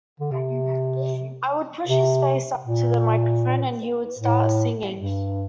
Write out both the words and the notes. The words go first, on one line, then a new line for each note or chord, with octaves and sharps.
I would push his face up to the microphone and he would start singing.
D3
C3
C3
A#2
A2
G2